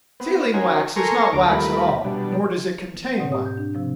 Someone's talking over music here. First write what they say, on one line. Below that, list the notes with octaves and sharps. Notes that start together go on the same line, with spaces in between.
Sealing wax is not wax at all nor does it contain wax.
B3 C4
C#4 D#4 F#4 A#4 C5 G#5
A4 A#4 G#5 A#5 C6 C#6
D2 D4 A#5 D6
D#2 F3 G3 A3 A#4 B5
B2 G3 D4
G#2 B2 C4 D5 F#5
G4 D#6
G6
D4
C3 F3 C4